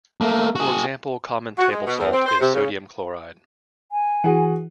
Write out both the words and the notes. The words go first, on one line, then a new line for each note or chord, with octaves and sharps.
For example, common table salt is sodium chloride.
A3 A#3
F#4 G#4
F#4
G#3
B2
E2
C4
C5
C3
C#3
G#5
E3 F#4 G#4 F#5